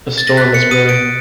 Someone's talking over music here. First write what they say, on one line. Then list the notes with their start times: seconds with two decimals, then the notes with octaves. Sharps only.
A storm is brewing.
0.18 A6
0.27 A#6
0.37 F#6 B6
0.54 C#7
0.71 D#6 D#7
0.89 D7